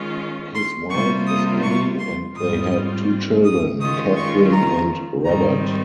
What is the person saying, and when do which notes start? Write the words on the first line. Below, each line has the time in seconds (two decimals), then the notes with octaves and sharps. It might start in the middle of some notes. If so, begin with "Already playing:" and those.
His wife is Anne, and they had two children, Kathryn and Robert.
Already playing: D#3 G#3 C#4 F4
0.54 C6
0.90 C3 G3 A#3 F4 C#6
1.26 D#6
1.63 C#6
1.99 C6
2.35 G#2 G3 C4 F4 D#6
3.44 D#6
3.80 D#3 G#3 C#4 F4 D#6
4.16 C#6
4.52 A#5
5.24 G#2 D#3 G3 C4 A#5